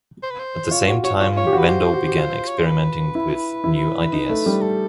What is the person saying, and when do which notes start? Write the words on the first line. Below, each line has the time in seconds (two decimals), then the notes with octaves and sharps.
At the same time, Vendo began experimenting with new ideas.
0.23 C5
0.31 B4
0.39 C5
0.71 F4 C#5
0.87 F#4 C#5
1.03 F#4 C#5
1.20 F4 C#5
1.37 F4 C#5
1.47 G4
1.53 F#4
1.58 B4
1.69 G4 C5
1.81 F#4
1.93 F#4
2.06 G4
2.17 F4
2.47 C#5
2.58 C5
2.66 B4
3.15 E4
3.64 E4
4.13 D#4
4.29 A3
4.46 G3
4.62 A4